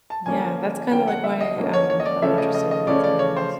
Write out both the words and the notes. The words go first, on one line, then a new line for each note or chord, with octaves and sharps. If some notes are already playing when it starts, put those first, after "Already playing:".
Yeah that's kinda, like, why I'm I'm interested in that, to be honest.
A5
D3 F3 A#3 C#4 G#5
D3 F3 A#3 C#4 G5
F#5
E5
D#5
D3 F3 A#3 C#4
C#5
C#5
D#5
D5
C#3 F3 A3 C#4 E5
D#5
D#5
D#5
C#3 F3 A3 C#4 D5
D5
C#5
C5